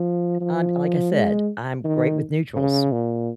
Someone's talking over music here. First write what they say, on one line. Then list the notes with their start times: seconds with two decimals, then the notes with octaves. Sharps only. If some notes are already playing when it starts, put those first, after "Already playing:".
Um, like I said, I'm great with neutrals
Already playing: F3
0.41 F3
1.13 G#3
1.85 D#3
2.56 C#3
2.92 A#2